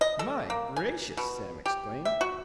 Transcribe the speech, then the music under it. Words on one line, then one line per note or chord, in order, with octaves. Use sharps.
"My gracious!" Sam exclaimed.
D#5
A4
A#3
G#5
B2
G4
E5
F#4